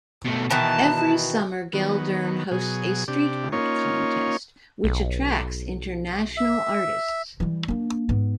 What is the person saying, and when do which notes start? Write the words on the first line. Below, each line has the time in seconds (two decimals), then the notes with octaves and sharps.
Every summer Geldern hosts a street art contest, which attracts international artists.
0.25 B2 A3
0.50 B2 D#3 E3 A5
1.73 D#3 F#3 B3
2.51 B2 F#3 G#4
3.08 C3 D4 G4
3.52 A#3 C#4 D#4 F4 C#5
4.84 B1
6.37 E5
7.40 E3 G3
7.68 A#3 D4
8.09 G#2 B3